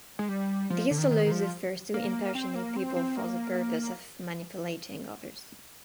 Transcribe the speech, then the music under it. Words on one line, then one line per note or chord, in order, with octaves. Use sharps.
This allows the First to impersonate people for the purpose of manipulating others.
G#3
G3
F3
D3
D#3
D#3
D#3
F3
A#3
C4
A#3
C4
C4
A#3